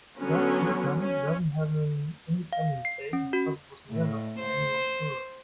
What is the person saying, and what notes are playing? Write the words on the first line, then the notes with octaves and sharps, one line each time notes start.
Thus Bhutan doesn't have an Independence Day because it was never under anyone's rule.
D3 F#3 B3 C#4
C#4
F5
C7
C#4
F#4
A2
C5